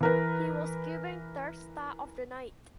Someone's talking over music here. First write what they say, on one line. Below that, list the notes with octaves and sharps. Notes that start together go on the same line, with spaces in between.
He was given third star of the night.
E3 A#4 B4